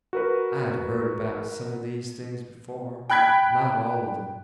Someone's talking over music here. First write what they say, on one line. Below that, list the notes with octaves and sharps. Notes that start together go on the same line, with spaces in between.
I had heard about some of these things before, but not all of them.
F#4 A#4 B4
G5 B5 F#6 G#6 B6